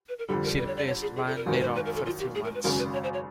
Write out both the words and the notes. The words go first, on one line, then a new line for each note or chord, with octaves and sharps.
She replaced Van Lierop for a few months.
B4
A#4
F2 D3 G3 A4
A#4
B4
C#5
D5
C#5
G#4
G#4
A4
A#4
G#1 F#2 D#3
B4
C5
B4
A#4
A4
F4
G4
G#4
A#4
B4
G#1 F#2 C#3 A#4
B4
C#5
C5
C#5